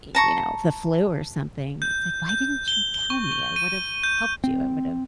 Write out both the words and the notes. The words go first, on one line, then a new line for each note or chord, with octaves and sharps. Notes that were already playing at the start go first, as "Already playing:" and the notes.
y you know, the flu or something, it's like, "Why didn't you tell me? I would've helped you. I would've,
A5 A#5 C#6
G6
G6
G7
G7
C#6
C#6
D#7
G6
C4